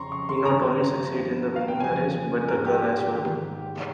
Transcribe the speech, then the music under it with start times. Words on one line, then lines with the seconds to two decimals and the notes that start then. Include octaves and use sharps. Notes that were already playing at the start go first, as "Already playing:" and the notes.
He not only succeeds in winning the race, but the girl as well.
Already playing: F2 C#3 F3 A#5 C6 C#6
0.12 C#6
0.29 C6
0.45 G2 D#3 A#5
1.13 G2 F3
1.56 F5
1.68 G5
1.80 F2 C#3 F3 G#5
2.48 G#2 F3 A#4
2.66 G4
2.82 G4
2.99 G4
3.16 G#2 D#3 G4